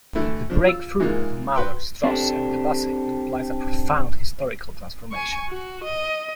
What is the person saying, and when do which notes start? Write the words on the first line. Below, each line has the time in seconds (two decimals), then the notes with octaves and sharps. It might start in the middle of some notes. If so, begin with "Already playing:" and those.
The "breakthrough" of Mahler, Strauss, and Debussy implies a profound historical transformation ...
0.15 D3 E3 A3 E4
0.50 F3 D4
0.64 F4 E6
1.00 E3 G#3 A#3 D#4 F4
1.55 F#4 B4 G5 C6
2.04 C4 D4 G4 A4
5.12 G#5 C#6
5.49 F#4
5.84 D#5